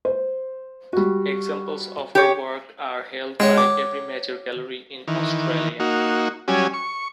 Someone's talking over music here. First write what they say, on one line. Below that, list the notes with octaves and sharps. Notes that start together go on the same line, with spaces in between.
Examples of her work are held by every major gallery in Australia.
C5
G3 F#4
G4 C#5
G#3 C#5 F#5 G5
D6
D#3 E3
A#3 D#4 F#4
F#3 G3 C#4 G#5
C#6